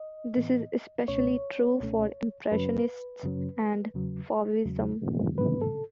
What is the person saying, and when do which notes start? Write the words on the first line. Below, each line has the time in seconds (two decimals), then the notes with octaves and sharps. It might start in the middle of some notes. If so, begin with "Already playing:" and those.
This is especially true for Impressionists and Fauvism.
Already playing: D#5
0.37 A2 E3 B3
1.08 C#2 B2 A3 C#4 C#5
1.80 C#2 B2 A3 C#4
2.52 F#2 C#3 F#3 C#4 B4
3.23 F#2 C#3 F#3 C#4
3.94 E2 C#3 F#3
4.66 E2 C#3 F#3
5.38 G#2 D#3 F#3 B3 B4
5.62 A4